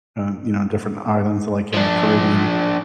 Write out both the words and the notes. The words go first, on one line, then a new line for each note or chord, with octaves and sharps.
um, you know, different islands like in the Caribbean.
F3 D4